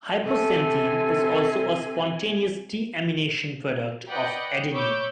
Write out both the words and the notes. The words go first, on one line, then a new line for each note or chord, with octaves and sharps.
Hypoxanthine is also a spontaneous deamination product of adenine.
C3 A4 G#5
B4 D5 D#5 F#5 G5
C#5 B5 C#6 D6 E6 G6